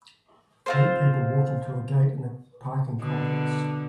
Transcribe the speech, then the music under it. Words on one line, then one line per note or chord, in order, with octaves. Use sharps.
Three people walking through a gate in a parking complex.
C4 F4 C5
B2 D3